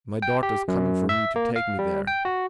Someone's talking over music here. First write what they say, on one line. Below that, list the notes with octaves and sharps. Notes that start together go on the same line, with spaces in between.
"My daughter is coming for me to take me there."
G5
G4
F#2
E5
A#3
F5
G3
G5
F#4